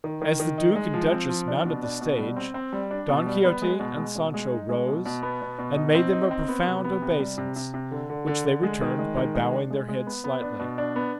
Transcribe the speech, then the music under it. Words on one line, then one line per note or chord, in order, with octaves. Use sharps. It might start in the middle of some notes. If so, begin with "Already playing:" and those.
As the duke and duchess mounted the stage Don Quixote and Sancho rose and made them a profound obeisance, which they returned by bowing their heads slightly.
D#3
D#3
D#3
D#4
G#3
F3
C4
F3
D4
B2
D4
B2
G3
C4
C4
G3
D4
B2
G3
B3
G#3
B2
G#3
B2
G#3
D#4
G#3
B2
B2
B3
B2
B2
D#4
C4
D#4
C4
B3
C3
B3
C3
G3
C3
C3
C3
D3
D3
D3
D3
G#3
D#3
G#3
D#3
G#3
D4
G#3
G#3
B3
B3
D4
B2
D4
B3